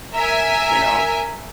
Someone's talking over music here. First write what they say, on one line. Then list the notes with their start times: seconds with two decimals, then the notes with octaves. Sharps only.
you know?
0.14 A#4 E5 G#5